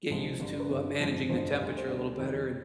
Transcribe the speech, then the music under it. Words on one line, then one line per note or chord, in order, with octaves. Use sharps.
get used to, uh, managing the temperature a little better and
C2 C3 F3 G#3
G1 G2 D3
D5
B4
G1 G2 D3
G1 F2 D3 F3 G#3
G1 F2 D3 F3 G#3 C5
D2 D3 G3 D#5
C5
D2 D3 G3 D5
F2 D#3 G3